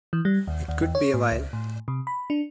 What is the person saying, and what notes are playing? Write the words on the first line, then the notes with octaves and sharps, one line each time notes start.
It could be a while.
E3
G3
D#2
D#2
E2
C#5
A2
C#2
A2
C3
B5
D4